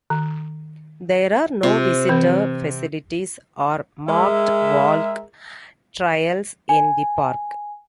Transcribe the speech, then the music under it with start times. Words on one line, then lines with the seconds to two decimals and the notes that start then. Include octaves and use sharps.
There are no visitor facilities or marked walk trails in the park.
0.10 D#3
1.63 C3 F4
2.09 E3 C4
4.08 G#3 G#4 A#4 E5
6.69 G#5